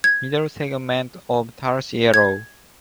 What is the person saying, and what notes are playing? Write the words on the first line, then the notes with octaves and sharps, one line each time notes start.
Middle segment of tarsi yellow.
G#6
G#6